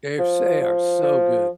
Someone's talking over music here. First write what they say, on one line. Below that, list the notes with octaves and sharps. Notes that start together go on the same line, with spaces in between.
Yes, they are so good.
F3
F3
F3